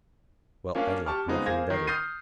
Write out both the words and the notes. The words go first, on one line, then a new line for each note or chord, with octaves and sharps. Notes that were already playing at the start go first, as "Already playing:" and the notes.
Well, I'd like nothing better.
A#3 C#4 D4 A#4 D5 F5
G4 A5 C#6 D6 F6
C#3 G#3 B3 C4 D#4
A#3 G#4 C5 F5 G#6 A#6
D#3 C7
D#6 F6 G6 A#6 C7 D#7